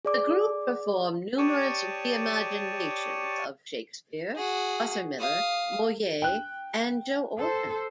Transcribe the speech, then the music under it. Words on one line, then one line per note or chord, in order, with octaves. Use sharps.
The group performed numerous "re-imaginations" of Shakespeare, Arthur Miller, Moliere and Joe Orten.
G#4 D5 D6
G4 C#5 D5 A5 C#6 D#6
F#4 G#4
F5 D#6
G5 F#6
A4 C5